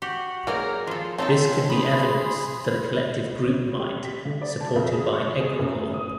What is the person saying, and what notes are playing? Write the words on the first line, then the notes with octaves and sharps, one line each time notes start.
This could be evidence for the collective group mind supported by Egregore.
F#4 G4
F#3 A#3 D#4 G#4 A#4 D5
F3 F4 A4
C4 C#4 D#4 F4 G4 A4 A5
G#4 B5 C6
G4
B6
D3
D5
A5
F2
G#4
C#6
G#4
F#2
A2
D#6